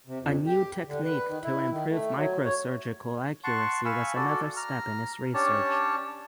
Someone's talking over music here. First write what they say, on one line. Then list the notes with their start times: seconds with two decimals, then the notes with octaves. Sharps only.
A new technique to improve microsurgical accuracy was another step in his research.
0.07 C3
0.20 F2
0.46 G4
0.87 D3
1.04 B4
1.28 D#3
1.43 E4
1.70 D#3
1.89 A3
2.16 F#3
2.44 C#5
3.44 F#5 A5 C6 C#6
3.85 F5 G#5 B5 C#6 E6
4.16 F#4 A4 D5
4.57 A#5 F6
5.34 C#4 D4 G4 C#5 A5